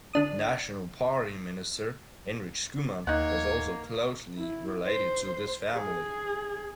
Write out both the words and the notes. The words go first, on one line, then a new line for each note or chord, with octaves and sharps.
National Party Minister Hendrik Schoeman was also closely related to this family.
D3 D4 D#6
D#2 A#3 D#4 C#5 F#5
E4
C5
G#4